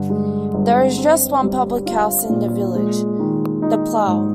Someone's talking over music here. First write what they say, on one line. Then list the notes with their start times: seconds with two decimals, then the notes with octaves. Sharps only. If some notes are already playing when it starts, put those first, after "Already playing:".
There is just one public house in the village, the Plough.
Already playing: G2 D3
0.10 G#3
0.54 G1
0.98 C4
1.42 G3
1.86 F4
2.30 A#2
2.75 G#3
3.19 D#3
3.62 D#4
4.06 G#2